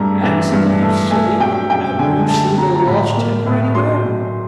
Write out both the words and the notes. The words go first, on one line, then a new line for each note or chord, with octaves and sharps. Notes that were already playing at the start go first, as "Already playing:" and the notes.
Answer me, you silly, have you seen a lost temper anywhere?
Already playing: G2 A3 A#5
E3
G2
A3
A3 G#5
F#3 G5
F#2 G5
D3 G#5
A3 A5
F#3 A#5
A#5
A2 B5
A#3
A2
F#3 C6
A2